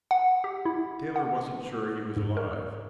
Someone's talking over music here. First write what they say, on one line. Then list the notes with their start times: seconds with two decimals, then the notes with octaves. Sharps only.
Taylor wasn't sure he was alive.
0.11 F#5
0.44 G4
0.65 E4
1.16 F#5
2.16 G#2
2.37 A#4